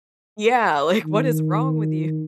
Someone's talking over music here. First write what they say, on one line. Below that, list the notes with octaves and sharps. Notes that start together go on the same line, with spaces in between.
Yeah, like, "What is wrong with you?"
D#3